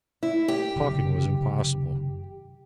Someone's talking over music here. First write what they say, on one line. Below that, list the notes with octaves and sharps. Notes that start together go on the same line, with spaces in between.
Talking was impossible.
E4
G4
F#1 C3 D#3